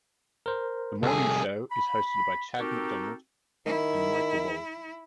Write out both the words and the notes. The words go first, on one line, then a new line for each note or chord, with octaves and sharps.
The morning show is hosted by Chad McDonald and Michael Ball.
A#4 C5
C2 G#4 A4
B5
C4 D#4 F#4 G4 A4 A#4
D#3 E4